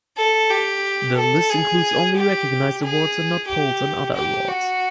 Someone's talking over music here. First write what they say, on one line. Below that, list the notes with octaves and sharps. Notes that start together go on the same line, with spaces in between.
This list includes only recognized awards and not polls and other awards.
A4
G4
A4
G#4
G4
G#4
G4
G4
F#4